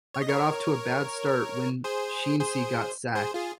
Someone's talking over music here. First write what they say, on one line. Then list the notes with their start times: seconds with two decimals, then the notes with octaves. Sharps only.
I got off to a bad start when Sheensy got sacked.
0.14 C#5
0.22 D#5
0.29 A#4 C#5
1.84 G#4 C5
2.40 G#4 C5
3.15 G#4 C5
3.34 F4 G#4